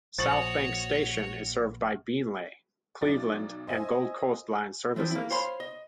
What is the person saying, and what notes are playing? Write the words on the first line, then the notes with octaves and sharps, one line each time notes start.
South Bank station is served by Beenleigh, Cleveland and Gold Coast line services.
A#1 F#4 C5 C#5 C#6 D#6 A6 F#7
B1 D#4 D5 A6
C5 D#5 E5 G#5
E3 F3 C4 E4
A#3 E4
C5 C#5 F5 G#5 B5 C6
D#5